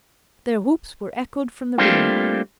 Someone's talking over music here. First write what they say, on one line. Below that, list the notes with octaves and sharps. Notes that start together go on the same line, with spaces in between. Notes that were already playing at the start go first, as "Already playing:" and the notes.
Their whoops were echoed from the rear.
G3 A3 A#3 C4 D4 F4